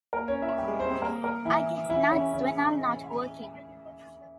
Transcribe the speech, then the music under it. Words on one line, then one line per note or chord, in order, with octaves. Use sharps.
I get nuts when I'm not working.
A#3 A#4
C#4 C#5
E4 E5
G3 G4
G#3 G#4
C4 C5
C4 C5
A#3 A#4
A#3 A#4
E3 E4
E3 E4
C#3 C#4
C#3 C#4